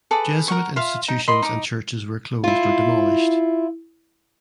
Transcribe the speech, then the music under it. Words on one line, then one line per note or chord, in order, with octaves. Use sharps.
Jesuit institutions and churches were closed or demolished.
G#4 A4 B4 D6
A#4 F#5 C#6
F4 E5 F5 C6
D#4
A#4 D#5 B5 C6
D#4 D6
E4 F4